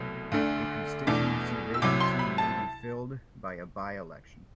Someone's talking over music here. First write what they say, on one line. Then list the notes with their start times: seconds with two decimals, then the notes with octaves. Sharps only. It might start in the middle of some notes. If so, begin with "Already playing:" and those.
A constituency vacancy may be filled by a by-election.
Already playing: C2 B2 F#3 A3
0.32 D2 D3 A3 D4
1.07 E2 B2 A3 D4 D6
1.74 E6
1.82 C2 C3 F#3 D6
2.00 C6
2.19 B5
2.38 A5